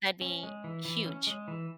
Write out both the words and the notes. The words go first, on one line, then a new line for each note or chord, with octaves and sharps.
That'd be huge.
C#4
G#3
E3
E3
C#4
G#3
E3